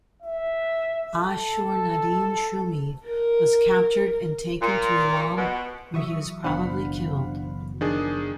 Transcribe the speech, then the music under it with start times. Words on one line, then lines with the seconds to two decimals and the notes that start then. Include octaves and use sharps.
Ashur-nadin-shumi was captured and taken to Elam where he was probably killed.
0.22 E5
1.16 A4
3.06 A#4
4.62 A#2
5.38 B2
5.94 E3 F#3 E5 C#6 D#6
6.44 F#1 B2 D4 C5 F5 F#5 B5
7.81 D#3 F3 D4 G#4